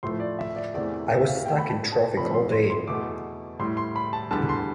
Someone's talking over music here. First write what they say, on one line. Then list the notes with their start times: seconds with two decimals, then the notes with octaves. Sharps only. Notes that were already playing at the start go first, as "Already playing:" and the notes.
I was stuck in traffic all day!
0.03 A2 F3 A3 C6
0.20 D5
0.39 E5
0.56 D5
0.74 E2 C3 E3 A3 D5
0.91 D5
1.10 E5
1.27 F5
1.45 B2 A3 G5
1.58 B5
1.69 A5
1.92 A5
2.17 F2 C3 F3 A3 B5
2.34 C6
2.52 C6
2.70 C6
2.87 E2 B2 A3 D6
3.59 A2 G3 C6
3.77 C6
3.96 B5
4.13 A5
4.31 E2 D3 G3 A5
4.49 C6